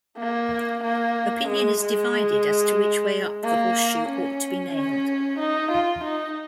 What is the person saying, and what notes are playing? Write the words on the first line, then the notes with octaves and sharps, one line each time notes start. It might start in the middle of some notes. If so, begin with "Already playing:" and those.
Opinion is divided as to which way up the horseshoe ought to be nailed.
A#3
A#3
G#3
G#3
A#3
C#4
C#4
D#4
F4
D#4